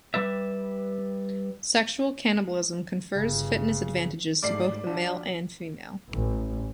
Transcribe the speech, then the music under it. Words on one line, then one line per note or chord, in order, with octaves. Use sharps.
Sexual cannibalism confers fitness advantages to both the male and female.
G3 B4 D5 E5
G1 C#3
G#2 G3 A3 D5 D6 C7
F3 D4 F#4
A1